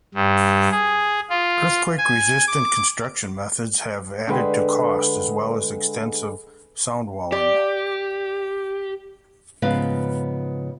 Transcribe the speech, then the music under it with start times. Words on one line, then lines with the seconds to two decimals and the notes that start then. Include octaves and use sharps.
Earthquake resistant construction methods have added to costs, as well as extensive soundwalling.
0.14 G2
0.71 G#4
1.30 F4
1.98 G#5
2.47 D6
4.27 D3 G#3 B4 G5
7.32 G4 D5
9.62 G#2 C#3 F3 B3 B4 F5